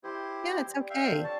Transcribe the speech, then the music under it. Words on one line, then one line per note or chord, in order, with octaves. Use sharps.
Yeah, it's okay.
E4 G4 C5 D#5 A5
G4 D5
E5 F5 G5
C4 D4 G#4
F#4 C#5 D5 A5